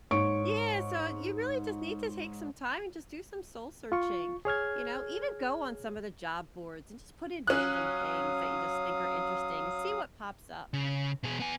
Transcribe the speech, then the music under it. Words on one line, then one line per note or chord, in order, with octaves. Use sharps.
yeah, so you really just need to take some time and just do some soul searching. You know? Even go on some of the job boards, and just put in random things that you just think are interesting. See what pops up.
G#2 C#5 C#6 D7
F4 C#6
G#4 C#5 F6 G#6
F#3 C#4 F5 D#6 F#6
C#3
B2 G#4
B3 G#5